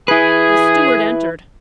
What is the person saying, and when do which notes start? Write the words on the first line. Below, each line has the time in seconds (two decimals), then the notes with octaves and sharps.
The steward entered.
0.08 E4 G#4 B4